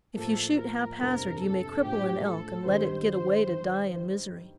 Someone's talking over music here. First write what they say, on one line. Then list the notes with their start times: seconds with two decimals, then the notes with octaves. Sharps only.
If you shoot haphazard you may cripple an elk and let it get away to die in misery.
0.16 A2 F3 A#3 A4
0.57 A#4
0.99 G1 F2 C3 G3 C4 A#4
1.41 A4
1.82 A#1 A2 F3 A3 G4
2.24 A4
2.65 G2 D#3 G3 C4 C5